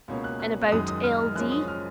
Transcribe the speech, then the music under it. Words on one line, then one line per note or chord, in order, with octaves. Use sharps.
"And about L. D.?"
C#2 B2 A#3 C#4
F#6
F#6
F#6
F#1 F#2 D#3 G#3 D#6
D#6
F6
F6
F#1 F#2 F3 G#3 C#4 F#6
D#6
F6